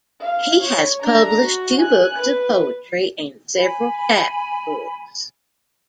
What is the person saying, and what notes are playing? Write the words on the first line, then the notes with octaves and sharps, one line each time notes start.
He has published two books of poetry and several chapbooks.
F5
C#5
D4 A#5
F#4
G#5 F#6
B4
G#5 B5